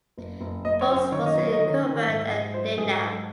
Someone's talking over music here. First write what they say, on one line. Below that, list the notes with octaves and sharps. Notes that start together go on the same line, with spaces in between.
Bowles was the incumbent at Nenagh.
F#1
F#1
F#1 D#5
C#5
F#2
C5
D#3 C#5
D#5
F#3 C#5
D#5
D#3
C#5
D#3
G#2 E5
E5
G#2 D#5
F#3 C5
G#2 G#4
F#3 A4